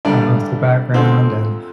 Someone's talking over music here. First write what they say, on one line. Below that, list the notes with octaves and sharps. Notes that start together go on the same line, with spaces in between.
amongst the background, and
A1 G2 D3 G3 D4
F2 D3 F3 G#3 C4